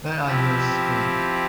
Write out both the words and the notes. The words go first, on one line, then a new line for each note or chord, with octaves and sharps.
Where are yous going?
F3 C4 E4 G4